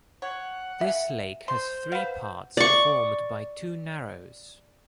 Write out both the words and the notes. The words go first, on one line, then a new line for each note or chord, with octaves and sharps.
This lake has three parts formed by two narrows.
C#5 F#5
C#3 E5
C5 C6
B4 F5 F#5
D5 C#6